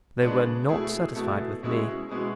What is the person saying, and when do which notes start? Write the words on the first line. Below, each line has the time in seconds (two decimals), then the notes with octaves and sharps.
They were not satisfied with me.
0.21 C#3 G#3 B3 D4
0.69 B2 A3 E4 G#4
1.15 B2 A3 E4 G#4
1.63 B2 G#3 C#4 E4 G#4
2.09 B2 G#3 C#4 E4 G#4